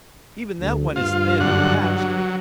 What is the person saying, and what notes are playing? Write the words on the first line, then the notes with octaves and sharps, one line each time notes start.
Even that one is thin and patched.
D2
G2 F4
F#2 D3 F#5
F#3